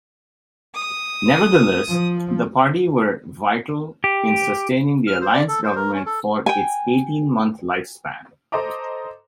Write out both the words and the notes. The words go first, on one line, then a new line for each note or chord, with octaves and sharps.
Nevertheless, the party were vital in sustaining the Alliance government for its eighteen-month lifespan.
D#6
F3
G4
F6
C5
D5
A4
C5
A#4
C#4
A4
G5 G#5
A4 C5 D#5 A#5 D6